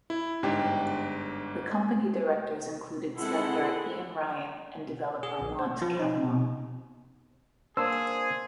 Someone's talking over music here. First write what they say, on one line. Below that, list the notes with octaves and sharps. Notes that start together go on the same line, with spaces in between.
The company directors included Senator Eoin Ryan and developer Mont Kavanagh.
E4
G1 G#2 D4 G4 G5
G#3 C4 E4 A4 F#5 C6
G#4
A#1
C5
F3
D#4
C3
A#3 D4 G#4 C5 E6